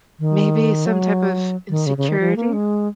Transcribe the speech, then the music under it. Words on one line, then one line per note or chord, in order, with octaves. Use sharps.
maybe some type of insecurity.
D#3
F#3
D#3
C#3
C#3
D#3
F3
A#3
G#3